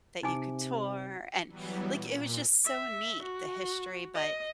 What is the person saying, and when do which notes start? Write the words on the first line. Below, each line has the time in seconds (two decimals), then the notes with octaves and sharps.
that you could tour, and, like, it was just so neat, the history, but
0.23 C3 D#4 G#5 D6
1.48 E3 F#3 G3 B3
1.92 A#2
2.65 E5
3.23 F#4
4.14 D#5